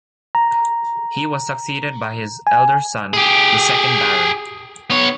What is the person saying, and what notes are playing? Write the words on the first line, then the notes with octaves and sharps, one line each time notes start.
He was succeeded by his elder son, the second Baron.
A#5
G#5
G4 G#4
B3 C#5